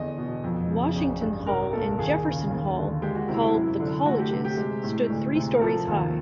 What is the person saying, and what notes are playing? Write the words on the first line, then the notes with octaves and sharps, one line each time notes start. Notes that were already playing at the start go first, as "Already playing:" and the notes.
Washington Hall and Jefferson Hall, called the "colleges," stood three stories high.
Already playing: E2 D3 D#5
B2
F2
C#3
A1
G2
C2 A#4
A#2 A4
D#2 G#4
C#3
D#2
D3
G#3 G4
F#4
C3 E4
E4
F#2
D3
A3 F#4
G4
C3
G4
G#3
A2
D2
C3
A#4
F3 A4
D#2